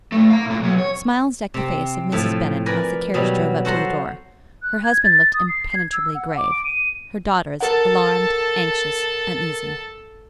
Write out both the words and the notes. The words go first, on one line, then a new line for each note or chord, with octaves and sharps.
Smiles decked the face of Mrs. Bennet as the carriage drove up to the door; her husband looked impenetrably grave; her daughters, alarmed, anxious, uneasy.
A#2 A3
F5 A#5
A2 A#3
B1 F#3
C#5
C3 C4
A2 F3 E5
A#4 B4 D5 G#5 A#5
B2 F#3 G3
F#4 A4 C5 F#5 A#5
F#6
G#6
A6
D#6
C7
G#6
E6
F#5
D6
D7
D#7
A4 A#4 F#5 A5